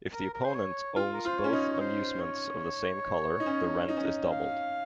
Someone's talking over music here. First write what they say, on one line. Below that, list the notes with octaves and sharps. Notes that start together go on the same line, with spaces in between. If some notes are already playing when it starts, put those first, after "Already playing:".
If the opponent owns both amusements of the same color the rent is doubled.
A#4
A#4
C5
C#5
F4
A#4
F4 C5
C#5
C#4
D#4
C#5
C5
C#5
D#4
C#4
D#4
C#4
D#4
F5